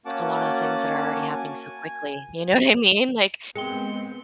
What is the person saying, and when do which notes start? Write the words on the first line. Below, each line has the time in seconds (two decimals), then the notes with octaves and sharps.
a lot of the things that are already happening so quickly. You know what I mean? Like,
0.06 A#3 C#4 F#4 F#5 A5 D6
1.32 G#5
3.56 G#3 B3 C4 A#4 G5 C6 C#7 G7